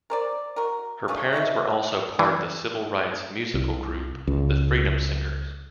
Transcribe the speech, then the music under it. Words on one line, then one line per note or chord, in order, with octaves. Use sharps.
Her parents were also part of the civil rights musical group The Freedom Singers.
A#4 C5 D5
F#4 A#4
A3 C#4 D4 F4
D#4 F#4 E5 F#5
E3
C2
C#2